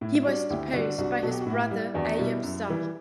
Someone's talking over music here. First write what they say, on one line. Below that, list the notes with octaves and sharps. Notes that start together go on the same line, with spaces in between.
He was deposed by his brother Ayub Shah.
A2 E4
G3 D4 F#4
D2 E4 G4
D3 G3 D4 F#4
C2 D4 F#4
B2 F#3 A4
G4
F#4
A2 E4 G4
G3
E2 D4 F#4
B2 G3 E4
F#2
E3 G3